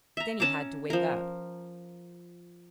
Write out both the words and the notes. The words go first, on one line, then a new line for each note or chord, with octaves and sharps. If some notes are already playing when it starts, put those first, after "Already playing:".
Then he had to wake up.
E5 A#5
C#4 A5 A#5 D6
F3 A#4